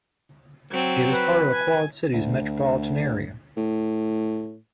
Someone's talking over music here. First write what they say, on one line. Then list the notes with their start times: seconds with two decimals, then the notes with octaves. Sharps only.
It is part of the Quad Cities metropolitan area.
0.71 F#3 C4
1.10 B4
1.53 G#5
2.13 D2
3.57 A2